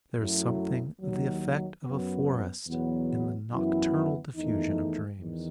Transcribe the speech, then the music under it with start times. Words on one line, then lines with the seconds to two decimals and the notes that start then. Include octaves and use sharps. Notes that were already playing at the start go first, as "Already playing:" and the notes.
There is something of the effect of a forest in the nocturnal diffusion of dreams.
0.16 F#2 F#3 A3 E4
1.00 D#2 D#3 F#3
1.84 F#2 F#3 B3
2.68 E2 B2 F#3 B3
3.52 F#2 E3 B3 E4
4.35 E2 D#3 A3 D#4
5.19 E2 D#3